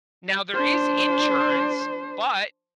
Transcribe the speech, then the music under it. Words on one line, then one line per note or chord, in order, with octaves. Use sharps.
Now, there is insurance, but
D4 C5